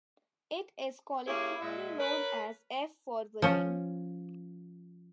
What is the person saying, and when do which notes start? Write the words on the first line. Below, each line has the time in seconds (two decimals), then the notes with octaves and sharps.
It is colloquially known as 'f-forwarding'.
1.28 A#3 C#4 D4 E4 G4 G#4
1.61 A#2 G#3 E5
1.98 A#4 B4 C#5
3.42 F3 C#4